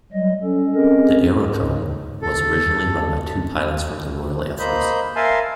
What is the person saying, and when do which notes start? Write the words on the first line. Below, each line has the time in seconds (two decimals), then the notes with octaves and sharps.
The aerodrome was originally run by two pilots from the Royal Air Force.
0.13 F#3 G3 D#5
0.43 C#4 A4
0.75 C4 C#4 G#4 A#4 D#5
1.31 G#2
2.22 A4
4.59 A#3 C5 D#5 B5 G6
5.16 A#4 E5 F5 G#5 A5 C6